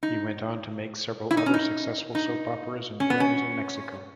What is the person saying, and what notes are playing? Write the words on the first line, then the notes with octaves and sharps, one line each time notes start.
He went on to make several other successful Soap Operas and films in Mexico.
D#4
E4
D#4
C#4
D#4
D#4
C#4
B3
C#4